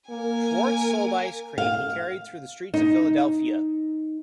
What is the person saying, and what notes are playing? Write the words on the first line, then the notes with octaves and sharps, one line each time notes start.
Schwarz sold ice cream he carried through the streets of Philadelphia.
A#3 A#4 G#5
F5
D#4